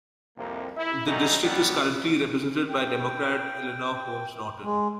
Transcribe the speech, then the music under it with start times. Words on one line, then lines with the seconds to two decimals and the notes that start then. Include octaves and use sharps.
The district is currently represented by Democrat Eleanor Holmes Norton.
0.37 C2 F2 C3 A#3
0.77 E4
1.07 D3 F#3 G3 C#4 D#4
1.42 D#3 F#3 G3 B3
2.70 G5
4.64 G#3